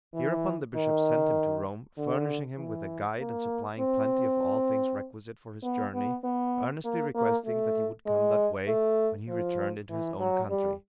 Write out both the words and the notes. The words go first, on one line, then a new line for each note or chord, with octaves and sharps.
Hereupon the bishop sent him to Rome, furnishing him with a guide and supplying plenty of all things requisite for his journey, earnestly requesting that he would come that way, when he returned into his own country.
E3
D#3
D3
E3
A#3
C4
B3
B3
B3
A#3
A#3
A3
G#3
A3
F3
E3
F#3
G3